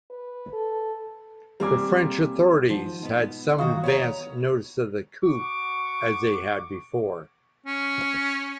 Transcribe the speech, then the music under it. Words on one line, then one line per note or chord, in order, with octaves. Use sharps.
The French authorities had some advance notice of the coup, as they had before.
B4
A4
G3 A#3 C4 G#5 D6
G#2 F3
B2 B3
D#3 F#3 F#4 F5 C#6 D#6
B3 C5 C#5 A#5
F#4 C#6 D6
C#4